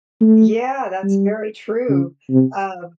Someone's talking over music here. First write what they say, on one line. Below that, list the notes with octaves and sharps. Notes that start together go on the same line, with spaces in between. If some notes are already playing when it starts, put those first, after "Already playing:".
Yeah, that's very true, uh
A3
G3
C#3
C3